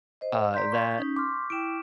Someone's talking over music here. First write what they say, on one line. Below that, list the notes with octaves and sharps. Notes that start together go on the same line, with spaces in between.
Uh, that
C5 D#5
D5 A#5 C6 G6 B6
C#6
C#4 D#4
C6 D6 F6
E4 G5 D7 E7